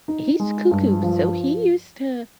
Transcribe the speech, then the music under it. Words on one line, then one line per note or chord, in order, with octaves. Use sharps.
He's cuckoo. So he used to
D#4
G#3
G2
F3